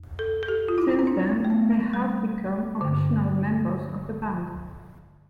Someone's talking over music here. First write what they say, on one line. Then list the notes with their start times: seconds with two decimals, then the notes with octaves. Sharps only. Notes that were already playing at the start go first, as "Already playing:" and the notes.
Since then they have become official members of the band.
Already playing: F2
0.19 A4
0.43 A4
0.48 G4
0.68 F4
0.78 E4
0.99 C4
1.07 D4
1.45 A3
1.50 B3
1.93 G3
2.81 G2 D3